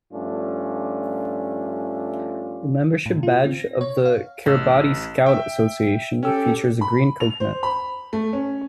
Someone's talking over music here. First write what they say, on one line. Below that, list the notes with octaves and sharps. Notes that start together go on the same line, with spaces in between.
The membership badge of the Kiribati Scout Association features a green coconut.
G2 F3 A3 C#4 D4 F4
A2
F4
C4
A#6
C#5
F5
A1 E6
E5 G5
C#4 G4 A4 G5 E6
B5
F7
C5
B5
A3
C#4